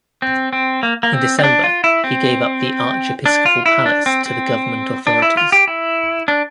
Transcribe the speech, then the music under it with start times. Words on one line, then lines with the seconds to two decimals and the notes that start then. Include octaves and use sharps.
In December he gave up the archiepiscopal palace to the government authorities.
0.22 C4
0.53 C4
0.83 A#3
1.03 A#3
1.13 C4
1.39 C4
1.44 D4
1.64 F4
1.84 E4
2.04 C4
3.26 D4
3.46 F4
3.66 E4
3.86 D4
4.06 C4
4.26 C4
5.07 D4
5.22 E4
5.37 F4
5.52 G4
5.67 E4
6.28 D4